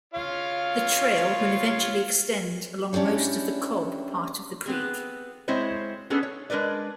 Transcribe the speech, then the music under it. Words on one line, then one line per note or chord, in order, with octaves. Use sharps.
The trail will eventually extend along most of the Cobb part of the creek.
F4 C#5 F5
C#4 D4 E4 G4 C#5
B3 C4 G#4
G#3 C4 E4 C5 C#5
B3 C#4 D4 G#4 A4
C#5
G#3 D4 A#4 B4 D5